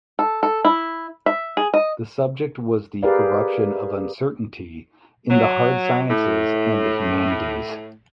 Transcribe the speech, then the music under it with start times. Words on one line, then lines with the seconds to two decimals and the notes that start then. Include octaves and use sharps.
The subject was the eruption of uncertainty in the hard sciences and the humanities.
0.19 A4
0.43 A4
0.65 E4
1.26 E5
1.57 G#4
1.74 D#5
3.03 G4 G#4 A#4 B4 D5 F5
5.30 F#3
6.10 A2